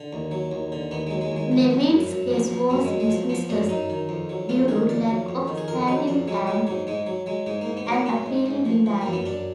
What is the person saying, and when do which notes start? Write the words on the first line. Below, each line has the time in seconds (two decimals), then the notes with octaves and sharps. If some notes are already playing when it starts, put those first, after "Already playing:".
Nemitz's case was dismissed due to lack of standing and an appeal denied.
Already playing: D3
0.13 D#2
0.31 F#3
0.51 D#2
0.72 D3
0.91 D#2 B3
1.07 F#3 G#3
1.21 G#3
1.32 D#2 G#3
1.52 F3
1.71 F3
1.91 F#2
2.11 F#2
2.31 F3
2.50 F3
2.70 F#2 A#3
2.84 G#3
2.90 F#2
3.00 G#3
3.10 F3
3.29 F3 B3
3.49 F#2 D4
3.69 F#2 D#4
3.90 D#3
4.09 F2
4.29 F#3
4.49 F2 F4
4.68 D#3 G#4
4.89 F2 D5
5.08 F#3
5.29 F2
5.48 D#3
5.58 G#4
5.68 F2 A#4
5.88 F#3 D#4
6.08 F2 D4
6.27 F#3 G#3
6.47 F#3 G#3
6.67 G#2 F#3
6.87 G#2 G#3
7.07 F#3
7.26 F#3 G#3
7.46 G#2 G#3
7.61 G#2 A#3
7.77 B3
7.86 F#3
7.92 A#3
8.06 F#3 B3
8.26 G#2
8.46 G#2
8.65 F3
8.86 F3
9.01 F#2 A#3
9.13 B3
9.26 F#2 D4